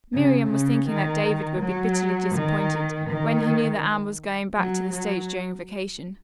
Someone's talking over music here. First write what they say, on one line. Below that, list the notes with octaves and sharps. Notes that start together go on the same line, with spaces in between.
Miriam was thinking that David would be bitterly disappointed when he knew that Anne was going back to the stage during vacation.
C#3
C#3
D#3
F#3
D#3
D#3
F#3
F#3